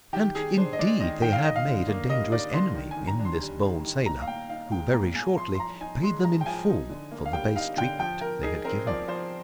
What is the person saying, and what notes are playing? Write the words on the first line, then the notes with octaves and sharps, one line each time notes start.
And indeed they had made a dangerous enemy in this bold sailor, who very shortly paid them in full for the base treatment they had given him.
D#3 G4
D#3 G#4
D4 C5
D#5
G#3 D5
D#3 D#5
D#3 G5
F5
D#4 D#5
F5
D3
A#3
G3 D#5
D#4 D5
D3 C6
D#3
G#5
D#3
A#5
D4
C6
G3
D#3
D#3
A#2 A#5
F5
A#2 G5
D#4 F5
G#3 G5
A#2 A#5
A#2 G#5
F3 C6
C6
F3 A#5
D#4 G#5
G#3 C6
F3 A#5
G5
F3 G#5
D#4
D3
A#3
F5
G3 G5
D#4 F5
D3 G5
F3 G5
F3 A#4
D#4 G#4
C4 A#4
F3 D5
F3 C5